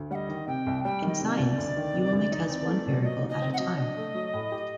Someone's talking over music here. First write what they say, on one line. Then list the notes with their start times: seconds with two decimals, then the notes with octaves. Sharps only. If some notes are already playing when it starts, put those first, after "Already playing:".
In science, you only test one variable at a time.
Already playing: D2
0.11 G3 F#5
0.15 D#5
0.29 D#3
0.48 C3 G5
0.66 C2
0.84 G3 G5
1.02 D#3
1.08 D#5
1.21 C3
1.33 D#5
1.37 C2 D5
1.58 D2
1.77 D#3
1.94 C3
2.13 D2
2.32 D#4
2.50 C4
2.67 A3
2.86 A#2
3.04 F#3 D#5
3.22 D#4
3.29 D#5
3.42 C4
3.53 F#5
3.58 F#3 D#5
3.77 D4
3.97 A3
4.15 F#3
4.33 A2
4.52 G4